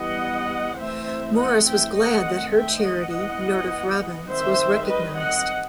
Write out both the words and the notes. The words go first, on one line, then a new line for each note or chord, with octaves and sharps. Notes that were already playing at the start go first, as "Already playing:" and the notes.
Morris was glad that her charity, Nordoff-Robbins was recognised.
Already playing: E3 G3 B3 D#5 F#5
E3 A3 C4 C5 E5
D#5 F#5
E5 G5
D#3 A3 C4 D#5 F#5
E5 G5
D#5 F#5
E3 B3
D#3 G3 C4 C5 E5
B4 D#5
D#5 F#5